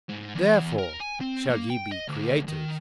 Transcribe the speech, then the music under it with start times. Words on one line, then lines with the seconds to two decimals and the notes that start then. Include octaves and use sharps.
Therefore shall ye be creators!
0.09 G#2
0.35 E2
0.79 A#4
1.00 G#5
1.21 C4
1.50 A#3
1.70 G5
1.92 D#5
2.08 D2
2.48 D#3